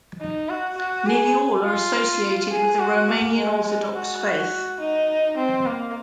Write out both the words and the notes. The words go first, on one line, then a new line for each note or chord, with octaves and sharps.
Nearly all are associated with the Romanian Orthodox faith.
D#4
F#4
F#4
G#4
F4
G#4
F#4
A#3
G#3
F#4
F#4
D#4
C4
A#3